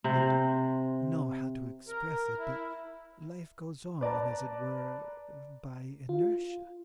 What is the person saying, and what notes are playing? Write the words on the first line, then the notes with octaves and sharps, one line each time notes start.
I don't know how to express it, but life goes on, as it were, by inertia.
C3 C5
A#4
E4
B4 D5 A5 A#5
F4